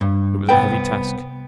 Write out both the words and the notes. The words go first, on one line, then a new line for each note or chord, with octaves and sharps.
It was a heavy task.
G2
C2 B3 B4 G5